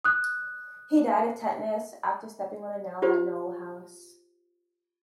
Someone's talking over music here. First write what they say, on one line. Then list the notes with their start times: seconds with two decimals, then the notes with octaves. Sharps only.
He died of tetanus after stepping on a nail at Knowle House.
0.05 D#6 F#6
3.02 F4 G4 C5